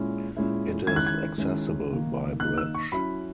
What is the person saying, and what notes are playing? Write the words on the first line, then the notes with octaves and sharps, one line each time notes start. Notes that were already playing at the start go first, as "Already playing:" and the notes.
It is accessible by bridge.
Already playing: A#2 G#3 C#4 E4
A#2 G#3 C#4 E4
D#3 G#3 C#4 E4 G#6
F#6
G#6
D#3 G#3 C#4 E4
D#3 A#3 D#4
D#3 A#3 D#4 F#6
E6
C#6
F#3 C#4 E4 B5